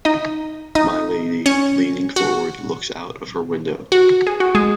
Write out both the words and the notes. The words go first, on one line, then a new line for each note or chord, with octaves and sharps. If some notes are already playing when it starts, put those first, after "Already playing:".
My Lady, leaning forward, looks out of her window.
D#4 D#5
D#4 D#5
C#4 C#5
F#4
F#4
G#4
F#4
G#3 G#4